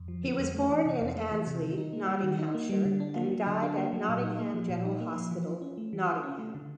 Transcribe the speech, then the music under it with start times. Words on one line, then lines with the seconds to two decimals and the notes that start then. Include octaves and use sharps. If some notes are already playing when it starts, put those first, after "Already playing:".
He was born in Annesley, Nottinghamshire and died at Nottingham General Hospital, Nottingham.
Already playing: F2
0.08 F3
0.23 D3
0.39 F2
0.54 A3
0.69 E3
0.85 C3
1.01 F2
1.16 A3
1.31 E3
1.47 C3
1.62 D#3
1.78 D#4
1.93 A#3
2.08 G3
2.23 D#3
2.39 D#4
2.54 A#3
2.69 G3
2.85 D3
3.00 D4
3.16 A#3
3.32 F#3
3.47 D3
3.62 D4
3.77 A#3
3.93 F#3
4.09 A#2
4.24 D#4
4.39 A#3
4.54 F3
4.69 A#2
4.85 D#4
5.00 A#3
5.16 F3
5.31 E3
5.47 F4
5.62 C#4
5.78 A3
5.93 E3
6.09 F4
6.23 C#4
6.38 A3
6.54 D3